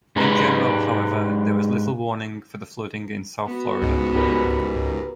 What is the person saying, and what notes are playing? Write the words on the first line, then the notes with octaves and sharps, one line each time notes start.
In general, however, there was little warning for the flooding in South Florida.
G#2 G#3 D#4 G4 B4 A#5
B3 F#4
C#2 G#2
G4 A#4 B4